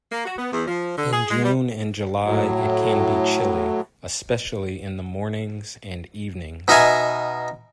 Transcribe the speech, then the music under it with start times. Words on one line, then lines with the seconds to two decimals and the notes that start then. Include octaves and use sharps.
In June and July it can be chilly, especially in the mornings and evenings.
0.11 A#3
0.25 F#4
0.38 B3
0.52 E2
0.67 F3
0.97 D3
1.12 G#4
1.30 G#3
1.44 G3
2.25 A2 F#3
6.68 B2 D#4 A#4 E5 G#5